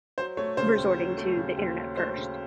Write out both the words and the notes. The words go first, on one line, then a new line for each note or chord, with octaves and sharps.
resorting to the internet first?"
F#3 C5
A3 C#5
C#3 C5
D#2
F#3
A3
C#3
D#2
F#3
A3 C5
C#3